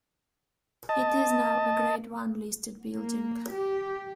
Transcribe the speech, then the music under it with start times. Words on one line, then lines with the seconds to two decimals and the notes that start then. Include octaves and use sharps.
It is now a Grade One listed building.
0.89 D#5 A5
2.95 A#3
3.53 G4